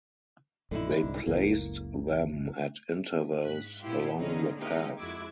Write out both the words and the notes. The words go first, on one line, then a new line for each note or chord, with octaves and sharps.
They placed them at intervals along the path.
A#1 F#2 A2 D3 D#4 E4
C2 G#2
F#1 C#2 A#3
G#2 F#6 B6
A#2 B3 E4 F4 G4
D3 G#3 C#4 D#4
G#3 A#3 D#4 G4
F2 G#3 E4 F#4 D6 G#6